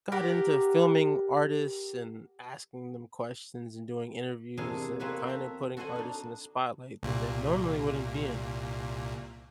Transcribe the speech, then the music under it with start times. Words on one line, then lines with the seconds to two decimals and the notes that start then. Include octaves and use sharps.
got into filming artists and asking them questions and doing interviews and kind of putting artists in the spotlight that they normally wouldn't be in,
0.12 G4 A#4 D5 F#5
4.57 E2 C3 D4 G#4 A#4 F5
4.99 G#3 A#3 C4 F#4 B4 C#5
5.27 A4 E5 A#5
5.77 F#4 A4 C5 D#5 F#5 G#5
5.96 D4 D#4
7.03 C2 A#2